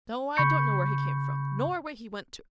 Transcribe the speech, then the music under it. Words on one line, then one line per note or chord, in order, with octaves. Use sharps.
No, I don't know where he came from nor where he went to.
C#3 B5 C#6 G6 C#7